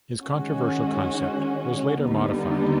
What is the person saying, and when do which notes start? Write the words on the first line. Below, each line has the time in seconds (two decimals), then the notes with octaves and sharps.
His controversial concept was later modified.
0.25 D#3 G#3 C#4 F#4
2.02 D#2 D3 G3 B3 D#4